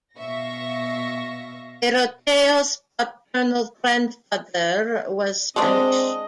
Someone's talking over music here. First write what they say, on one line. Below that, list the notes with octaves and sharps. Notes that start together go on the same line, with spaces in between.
Peyroteo's paternal grandfather was Spanish.
B2 E5 F5 C#6 A#6
G#3 C4 D4 D#5